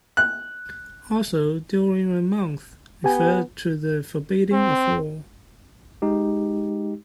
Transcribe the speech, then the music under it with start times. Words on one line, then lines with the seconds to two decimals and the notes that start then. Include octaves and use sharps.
Also during the month referred to the forbidding of war.
0.17 F#6
3.04 B3 G4 G#5
4.53 C4
6.02 G#3 D#4 G4